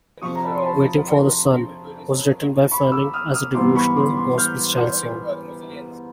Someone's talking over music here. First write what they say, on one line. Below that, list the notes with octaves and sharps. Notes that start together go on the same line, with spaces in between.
"Waiting for the Sun" was written by Fanning as a devotional, gospel style song.
F2 C3 F3 C#6 D#6
A#5
A5 B5
C6
A5 B5
B5 C#6
D6 E6
D#6 F6
D#6 F6
G#2 E3 G3 B3 C6 D6
B5 C#6
C6 D6
C6 D6
F6 G6